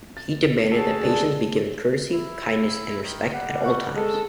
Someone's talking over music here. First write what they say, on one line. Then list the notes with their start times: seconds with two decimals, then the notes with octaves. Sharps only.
He demanded that patients be given courtesy, kindness and respect at all times.
0.17 A6
0.71 F#4 G#4 A4 A5
1.02 G#3 D4
2.13 E4
3.03 D#3
3.34 G3 F#5
3.64 F#5 C#6
3.95 G#3 A4